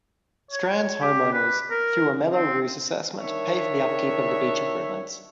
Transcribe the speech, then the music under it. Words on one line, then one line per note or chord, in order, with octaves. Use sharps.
Strands Homeowners, through a Mello-Roos assessment, pay for the upkeep of the beach improvements.
C#5
G4
B4
A#4
C4
D#3 D4 C#5 E5